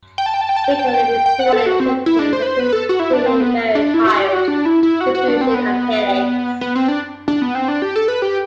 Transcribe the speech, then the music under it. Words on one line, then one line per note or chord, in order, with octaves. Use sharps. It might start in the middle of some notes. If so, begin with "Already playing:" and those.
Frequently reported symptoms include feeling very tired, confusion, and headaches.
G5
A5
G5
A5
G5
A5
G5
A5
G5
A5
G5
G5
F#5
A4
F#4
C4
E4
D4
C5
B4
C5
B4
A4
F#4
E4
D4
C4
B3
D4
E4
F#4
G4
F#4
D4
E4
E4
F#4
F#4
D4
C4
B3
B3
C4
D4
D4
B3
C4
D4
G4
A4
B4
G4